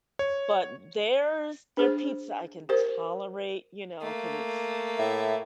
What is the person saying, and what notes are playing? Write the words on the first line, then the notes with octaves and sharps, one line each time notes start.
but there's their pizza I can tolerate, you know, 'cause it's,
C#5
D4 G#4 C5
G4 A#4 C5
A3 A#3
A2 E5